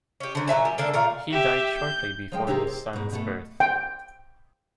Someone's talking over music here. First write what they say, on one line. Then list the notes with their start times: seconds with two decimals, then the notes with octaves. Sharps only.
He died shortly before his son's birth.
0.20 C#4 G4
0.35 D3 F#3
0.48 A#2 F#3 E5 G#5
0.65 G3
0.78 D3 A#3 D4 A4
0.94 A#2 A3 F5
1.31 G4 E5
1.77 G6
2.32 F3 G#3 G5
2.47 C3 C4 D#4 G4 G#4 A#4
2.67 C5
2.93 G#2 B2
3.12 B2 A3 A4
3.60 G5